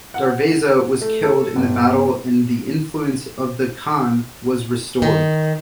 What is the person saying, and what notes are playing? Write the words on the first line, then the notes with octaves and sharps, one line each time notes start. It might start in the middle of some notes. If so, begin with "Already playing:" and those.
Darveza was killed in the battle and the influence of the Khan was restored.
F#5
A3
A4
G1
D#3